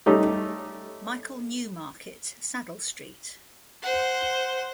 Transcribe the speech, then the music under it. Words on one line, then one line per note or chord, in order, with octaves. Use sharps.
Michael–Neumarkt saddle–St.
G3 A3 C#4 D#4 G4
C5 F#5